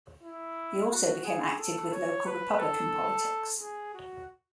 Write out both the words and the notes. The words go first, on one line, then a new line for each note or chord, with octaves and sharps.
He also became active with local Republican politics.
E4
F#4
G#4
A4
C#5
B4
A4
G#4
F#4